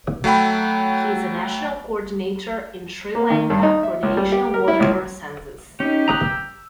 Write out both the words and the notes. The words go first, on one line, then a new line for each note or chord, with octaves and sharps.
He is a national coordinator in Sri Lanka for the Asian Waterbird Census.
F#3 A3 F#5 G5 B5
A#3
D#3
G2
D#4
E5
C#2
G3
G4
A#4
E4
C#2
C#4 D#4 G4
A#5 D#6 F#6
E6